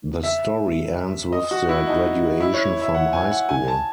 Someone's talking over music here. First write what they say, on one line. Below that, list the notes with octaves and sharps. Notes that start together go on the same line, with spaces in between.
The story ends with their graduation from high school.
E5
D#5
F#4
E4
D#4
E4
C#5
E5
F#5
G#5
F#5
G#5
A5